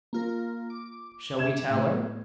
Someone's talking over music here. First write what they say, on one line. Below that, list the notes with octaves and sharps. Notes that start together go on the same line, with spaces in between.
"Shall we tell her?"
A#3 F4 A#4
D6
E5 G#6 E7
A2